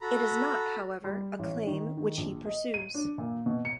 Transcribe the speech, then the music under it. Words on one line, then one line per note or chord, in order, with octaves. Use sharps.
It is not, however, a claim which he pursues.
F#4 A4 A#5 B5
G3
A1
D#3
D#3
A#1
D#5
D#7
D4
A#2
B2
C#7